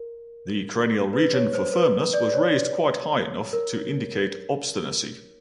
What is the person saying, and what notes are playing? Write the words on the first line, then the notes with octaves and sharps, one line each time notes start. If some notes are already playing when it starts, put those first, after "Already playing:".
The cranial region for firmness was raised quite high enough to indicate obstinacy.
Already playing: A#4
B4
C#5
C5
B4
D5
C#5
A#4